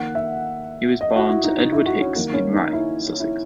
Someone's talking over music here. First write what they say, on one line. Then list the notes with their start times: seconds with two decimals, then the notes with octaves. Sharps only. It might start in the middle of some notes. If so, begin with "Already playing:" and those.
He was born to Edward Hicks in Rye, Sussex.
Already playing: D#3 A#3 F#5
0.15 E5
1.01 D#5
1.16 F#4
1.30 E4
1.44 D#4
1.58 D#4
1.72 E4
1.86 F#4
2.01 C#4
2.15 D#3 F#3 A#3
2.34 C#4
2.54 D#4
2.73 E4
3.20 E4